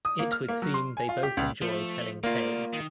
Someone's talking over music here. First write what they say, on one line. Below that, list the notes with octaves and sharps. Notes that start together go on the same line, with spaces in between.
It would seem they both enjoyed telling tales.
D#6
A#3
F6
A#3
F#3
C6
G#5
F4
G4
C#2
F3 A3
A3 A#3 F4 D5
D#3